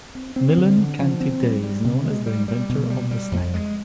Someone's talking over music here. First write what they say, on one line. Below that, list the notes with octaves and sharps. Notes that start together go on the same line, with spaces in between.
Milon Kanti Dey is known as the inventor of the snack.
C4
C4
D3
D3
F3
C4
G3
G3
C3
G#3
G3
G3
B2
G3
G3
F2
G#3